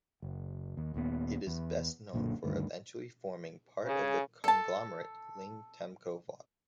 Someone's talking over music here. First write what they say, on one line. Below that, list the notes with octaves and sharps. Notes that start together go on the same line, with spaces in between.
It is best known for eventually forming part of the conglomerate Ling-Temco-Vought.
F#1
D#2
D#1 D#2 C#3 B3
E2
B1 F#2 A#2 D3
D2 G2 D#3
C#3 G#4
A4 A5